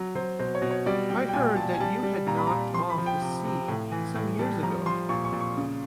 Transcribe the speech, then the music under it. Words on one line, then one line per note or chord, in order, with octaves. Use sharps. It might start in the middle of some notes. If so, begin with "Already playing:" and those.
I heard that you had knocked off the sea some years ago.
Already playing: F#3
F#3 C5
B2 C5
C#5
B2
C#5
G3 D5
G3 G5
G5
A#2 G#5
A#2 A5
G#5
G3 A5
G3
A#2 A#5
B5
A#5
A#2
F3 C6
B5
F3
G5
C3
C3
A2
E3
A2
G3 A5
F3 A#5
F3 C6
A#2 C#6
C#6
A#2
C#6
C#3